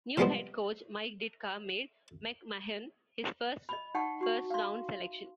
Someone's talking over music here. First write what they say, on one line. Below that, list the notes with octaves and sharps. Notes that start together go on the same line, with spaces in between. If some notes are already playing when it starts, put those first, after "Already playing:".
New head coach Mike Ditka made McMahon his first first-round selection.
C3 F3 G3 G#3 B3 C4
D#5 B5
D#4 F#5 G5 A5 C#6
F#4 C#6
F5 C6